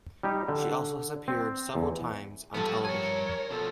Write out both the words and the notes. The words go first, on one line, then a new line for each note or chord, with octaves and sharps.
She has also appeared several times on television.
G3 D#4 G4
D3
C4
E2
G2 F3 B3 F#4 A4 A5
A#4 C#5 G#5
B2 F3 A4